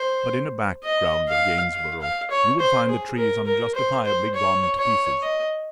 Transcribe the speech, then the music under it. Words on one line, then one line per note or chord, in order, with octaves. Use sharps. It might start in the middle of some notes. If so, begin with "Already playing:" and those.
But in a background of Gainsborough you would find the trees unjustifiably gone to pieces.
Already playing: C5
D#5
F5
F5
F5
C#5
C5
G#4
A#4
A#4
C5
C5
C#5
C#5
D#5